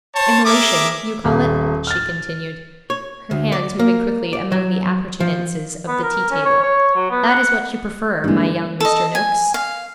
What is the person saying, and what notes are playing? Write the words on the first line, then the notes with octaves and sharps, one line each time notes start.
Immolation, you call it?' she continued, her hands moving quickly among the appurtenances of the tea-table. 'That is what you prefer, my young Mr. Noakes.'
C5 C#5 A5
G#4 A#4 E5 D6
D#1
F6 A6
C#5
D2
D5
A#3
D5
F#3
F3
B3
A#4
C#4
C#5
C#5
F#3
B3
F#5
D3 G3 G#3 A#3 E4
A4 D#5
G#5
F5